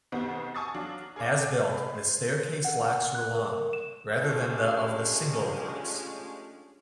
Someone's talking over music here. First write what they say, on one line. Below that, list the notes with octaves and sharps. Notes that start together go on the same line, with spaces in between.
As built, the staircase locks were long, rather than the of the single locks.
B1 B2 D#3 B3 C4 G4
G#5 A5 C#6 D#6 E6 A6
F#3 D4 F5
G#4 A#4 C#5 D6
G#3 B5
C5
F#5
F#6
A#4
E7
F3 G#3 A3 C#4 D4 G4